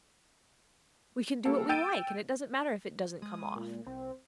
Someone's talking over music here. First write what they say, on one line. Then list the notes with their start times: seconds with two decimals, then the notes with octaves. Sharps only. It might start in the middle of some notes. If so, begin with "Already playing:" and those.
We can do what we like, and it doesn't matter if it doesn't come off.
1.45 G3 A#3 A4
1.69 G5 E6 G6 A6 D7 D#7
3.22 G#3 D#6
3.56 A#2
3.86 C2 C4